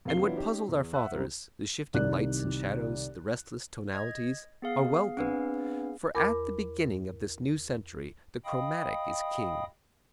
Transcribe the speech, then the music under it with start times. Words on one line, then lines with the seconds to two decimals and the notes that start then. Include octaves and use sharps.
And what puzzled our fathers--the shifting lights and shadows, the restless tonalities--are welcome, for at the beginning of this new century the chromatic is king.
0.05 F2 C3 A#3 F5 C7 G7
0.21 E3 F#3 B3 D4 E4 F4
0.36 C#4 D#4 G4
0.68 E2
0.93 E5 F#5 E6 F#6
1.14 F#2 C3 G3 C4
1.94 C2 D#3 D5 F#6
3.93 D#5 G#6
4.62 B3 G#4 F5
5.17 C4 D4 B4
6.15 E2 A#4 B5 D6
8.45 D#5 F5 G5 B5 D#6